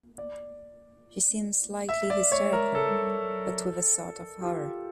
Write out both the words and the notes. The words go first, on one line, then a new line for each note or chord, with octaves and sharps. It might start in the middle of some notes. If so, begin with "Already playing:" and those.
She seemed slightly hysterical, but with a sort of horror.
D5
E5
D5
C#5
A#4
A4
G4
F4